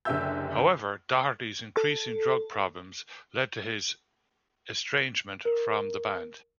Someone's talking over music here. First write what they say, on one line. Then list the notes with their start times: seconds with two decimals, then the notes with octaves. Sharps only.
However, Doherty's increasing drug problems led to his estrangement from the band.
0.05 F#1 D3 G4 E5 E6 G6
1.77 A4
5.45 A#4